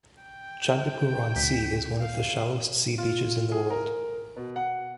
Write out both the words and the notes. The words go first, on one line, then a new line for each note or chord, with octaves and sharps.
Chandipur on sea is one of the shallowest sea beaches in the world.
G5
D2 B6
F5
F4
G#4
A#4
B2
F#5